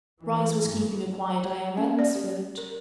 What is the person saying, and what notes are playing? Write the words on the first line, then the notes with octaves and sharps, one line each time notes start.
Bryce was keeping a quiet eye on Ransford.
E3
G2
C#5
C#4
D5
G4
A#4